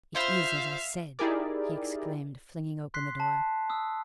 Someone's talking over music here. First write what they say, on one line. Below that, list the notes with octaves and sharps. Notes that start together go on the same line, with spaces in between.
'It is as I said,' he exclaimed, flinging open the door.
F4 C5 E5 F5 B5
D#4 E4 G4 G#4 A#4 D5
C6 F#6 B6 C7
A5
D#6 E6